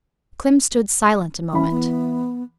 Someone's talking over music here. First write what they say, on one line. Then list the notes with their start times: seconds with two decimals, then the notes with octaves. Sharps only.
Clym stood silent a moment.
1.53 E3 C#4 B5
1.71 B3